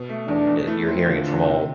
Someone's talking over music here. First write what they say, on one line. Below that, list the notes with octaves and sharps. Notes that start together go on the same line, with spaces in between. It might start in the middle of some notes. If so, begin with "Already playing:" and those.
Eh, you're hearing it from all
Already playing: B2
A3
E2 D4
E2
A3 E4
C4
D3 F4
D3
C3